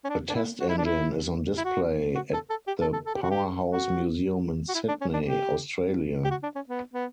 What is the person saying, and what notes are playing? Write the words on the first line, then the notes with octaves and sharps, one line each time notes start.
A test engine is on display at the Powerhouse Museum in Sydney, Australia.
C#4
D4
D4
E4
F#4
E4
D4
E4
E4
F#4
F#4
A4
A4
G4
A4
A4
A4
G4
F#4
G4
F#4
F#4
E4
D4
C#4
D4
G4
G4
F#4
D4
C#4
B3
B3